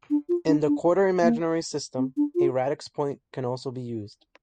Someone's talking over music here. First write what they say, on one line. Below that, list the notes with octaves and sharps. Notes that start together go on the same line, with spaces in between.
In the quater-imaginary system a radix point can also be used.
D4
F4
D4
D4
A#3
C4
D4
F4